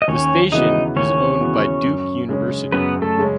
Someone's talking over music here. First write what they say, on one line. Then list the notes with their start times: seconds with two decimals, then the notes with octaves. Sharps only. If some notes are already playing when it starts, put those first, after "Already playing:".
The station is owned by Duke University.
0.02 D#5
0.08 D#2 C#4 C#5
0.52 C#3 E3 B3 D#4 F#4 D#5
0.96 D#2 C#4 C#5
1.40 C#3 E3 B3 F#4
1.85 F#2
2.29 C#3 G#3 C#4
2.72 F#2 B3 B4
3.02 A3 A4
3.18 C#3 G#3 C#4